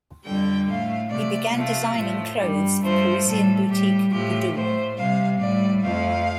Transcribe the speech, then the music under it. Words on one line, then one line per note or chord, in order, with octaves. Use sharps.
He began designing clothes for Parisian boutique, Gudule.
F2 D3 G3 G5
A2 A3 F5
C3 A3 D5
C3 F3 A3 F5
A2 F3 A3
G2 G3
G2 F3 A3 C5
A2 G3 A4
A2 G3 G4
A2 F3 A3 G4
A2 A3 C5
C3 G3 F5
A2 G3 D5
F2 F3 A3 F5